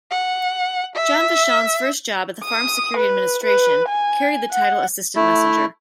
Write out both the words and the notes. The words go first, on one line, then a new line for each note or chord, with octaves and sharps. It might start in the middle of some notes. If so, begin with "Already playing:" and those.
John Vachon's first job at the Farm Security Administration carried the title assistant messenger.
F#5
E5
D#6
B4
B4
G#5
F#5
A3 E4